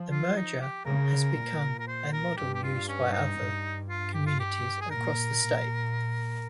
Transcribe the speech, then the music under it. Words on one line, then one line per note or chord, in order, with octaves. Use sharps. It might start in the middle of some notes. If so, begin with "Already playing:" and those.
The merger has become a model used by other communities across the state.
Already playing: F3
F4
D#4
G4
C#3 A#4
A#2
A#4
C5
A#4
G2 G4
G4
F4
C#4
D#4
G2
F4
G4
F4
G4
G#4
A#2 A#4
A#2